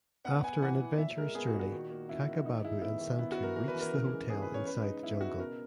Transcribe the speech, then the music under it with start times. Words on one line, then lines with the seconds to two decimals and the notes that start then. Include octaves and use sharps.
After an adventurous journey Kakababu and Santu reach the hotel inside the jungle.
0.25 B3 F#5
0.43 B3 G#5
0.62 E3 F#5
0.80 E3
0.98 A#2 E5
1.17 G#3 A#4
1.35 B3 G#4
1.48 F#4
1.54 A#2
1.59 F#4
1.72 D#3
1.90 A#3
2.09 C#4 E4
2.28 D#3
2.46 D#3 D#4
2.64 G#3 E4
2.82 B3 E4
3.01 D#3
3.18 B3 E4
3.32 F#4
3.37 B3
3.43 A#4
3.56 E3 A#4
3.68 B4
3.74 E3
3.81 A#4
3.93 C#3 A#4
4.11 G#3
4.29 B3 G#4
4.42 B4
4.48 C#3
4.54 C#5
4.66 C#3 B4
4.84 G#3 D#4
5.03 B3 E4
5.21 C#3 F#4
5.40 B2 A#4